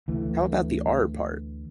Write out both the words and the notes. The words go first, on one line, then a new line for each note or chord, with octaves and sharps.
How about the R part?
D2 E3 A3